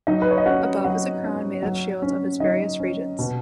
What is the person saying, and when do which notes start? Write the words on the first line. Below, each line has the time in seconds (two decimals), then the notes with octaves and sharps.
Above is a crown made of shields of its various regions.
0.07 F#3 D#4 D#5
0.22 B4
0.31 C#5
0.38 D#5
0.46 C#4 F#4 F#5
0.84 F#3 F#4 F#5
1.23 C#4
1.62 F#3
2.02 C#4
2.40 F#3 D#4 D#5
2.80 C#4
3.19 B2